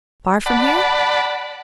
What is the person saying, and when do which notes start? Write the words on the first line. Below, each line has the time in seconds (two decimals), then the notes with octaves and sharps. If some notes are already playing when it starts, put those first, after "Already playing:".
"Far from here?"
0.46 D5 F#5 A5 B5